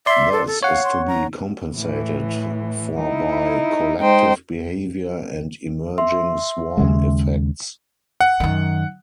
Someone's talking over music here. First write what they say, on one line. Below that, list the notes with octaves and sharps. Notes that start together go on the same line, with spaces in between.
This is to be compensated for by collective behavior and emerging swarm effects.
D5 E5 C6
A4
A4
C#5 F5 F#5
C6
A#5
A2 E3
D#4 E4
G#3 D#4 C5 G5
E5 C6
D#2 C#3 G#3
F#5
F#2 D#3